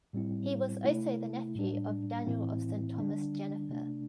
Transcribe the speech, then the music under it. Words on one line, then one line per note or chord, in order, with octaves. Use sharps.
He was also the nephew of Daniel of Saint Thomas Jenifer.
A2 G3 C4 E4
C3 A3 E4
A2 G3 D4
A2 E3 C4 E4
D3 G3 D4
C3 A3 D4